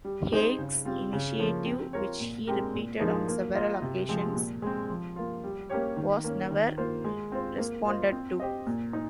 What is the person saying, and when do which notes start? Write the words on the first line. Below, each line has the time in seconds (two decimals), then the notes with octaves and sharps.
Haig's initiative, which he repeated on several occasions, was never responded to.
0.05 G3
0.32 C4 D#4 G#4 C5
0.58 C#3
0.85 G3 C4 F4
1.13 C#3
1.39 F3 A#3 C#4
1.66 C4
1.93 F4 A#4 C#5
2.20 A#2
2.47 G#3 C4 G4 A#4
2.74 A#2
3.00 F3 A#3 D#4 G#4
3.28 A#3
3.55 F4 A#4 D#5
3.82 C3
4.09 F3 G#3 C4
4.35 A#2
4.62 G#3 C4
4.90 F3
5.16 A#3 F4
5.44 G3
5.70 A#3 C#4 G4 C#5
5.97 D#3
6.24 A#3 C#4
6.51 D#3
6.78 A#3 F4 C5
7.04 G#3
7.32 C4 F4 C5
7.58 A#3
7.85 F4 C5 D#5
8.12 C4
8.40 G4 C5 D#5
8.67 A#2
8.93 D#4